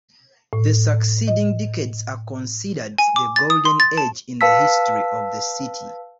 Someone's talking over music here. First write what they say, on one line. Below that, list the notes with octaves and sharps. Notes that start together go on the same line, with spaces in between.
The succeeding decades are considered the golden age in the history of the city.
A2
D#5
G#5
D6
A6
D#6
C6
A6
A5
B4 F5 A5 E6 B6